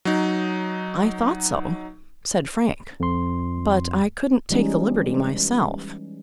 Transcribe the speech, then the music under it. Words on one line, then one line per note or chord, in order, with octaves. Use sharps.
"I thought so," said Frank; "but I couldn't take the liberty myself."
F#3 D#4
F2 C6
E3 G3 G#3 C#4 D#4